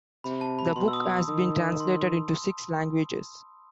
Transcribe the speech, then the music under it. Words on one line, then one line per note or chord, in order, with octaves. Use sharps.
The book has been translated into six languages.
C3 B5
A5
B5
B2 C6
E6
D#6
E6
D#3 D#6
C6